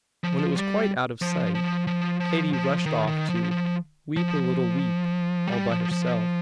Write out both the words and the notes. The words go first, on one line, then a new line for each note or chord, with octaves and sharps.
When it was quite out of sight, Katy rushed off to "weep a little weep," all by herself.
F3
G3
F3
F3
F3
F3
F3
D#3
D#3
F3
F3
F3
G3
F3
F3